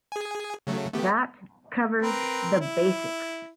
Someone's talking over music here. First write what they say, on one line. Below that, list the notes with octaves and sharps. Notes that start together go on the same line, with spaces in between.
That covers the basics.
G#4 G#5
C#3 F#3 A3
A3 B3 G4
C4 A#4 B4
E4